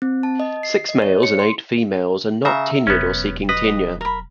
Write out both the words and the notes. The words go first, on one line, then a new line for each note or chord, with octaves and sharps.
Six males and eight females are not tenured or seeking tenure.
C4
A5
D#5
C7
D#5
C#5
C#7
C6
C#3 E5 A#5
E1 F#3 B3 C#4
B4 D#5
A#4 B5